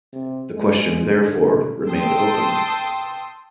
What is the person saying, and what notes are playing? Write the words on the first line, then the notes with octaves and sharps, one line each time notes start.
The question therefore remained open.
C3
G#3
D3
G5 A5 C6 D#6 E6